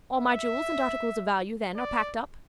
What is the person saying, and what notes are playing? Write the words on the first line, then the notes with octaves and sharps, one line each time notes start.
"All my jewels and articles of value, then, are packed up?"
E5
D5